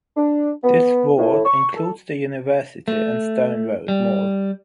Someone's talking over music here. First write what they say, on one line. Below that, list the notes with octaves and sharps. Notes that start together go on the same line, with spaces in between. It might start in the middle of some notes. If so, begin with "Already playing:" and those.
This ward includes the University and Stone Road Mall.
D4
B3
A2
C#6
A4
A3
G3